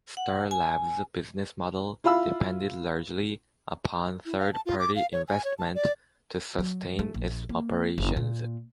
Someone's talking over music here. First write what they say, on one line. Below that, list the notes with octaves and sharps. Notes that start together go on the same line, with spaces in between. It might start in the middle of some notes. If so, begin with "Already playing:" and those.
Starlab's business model depended largely upon third-party investment to sustain its operations.
F#5
G#5
E4 F4 F5 B5 E6
E4
F5
A5
F4
D6
F5
C#5
G#5
C#5
A5
D5
F#3
A3
A#1
A#3
F#1
A#2